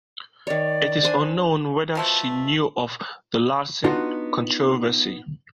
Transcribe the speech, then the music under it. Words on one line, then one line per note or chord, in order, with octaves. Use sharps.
It is unknown whether she knew of the Larsen controversy.
D#3 C#5 D5
D4 C5 G#5
B2 F3 A3
B3 D4 D#4 F4 F#4